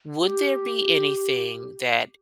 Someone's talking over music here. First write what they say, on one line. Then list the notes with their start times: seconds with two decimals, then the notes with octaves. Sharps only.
would there be anything that
0.21 G4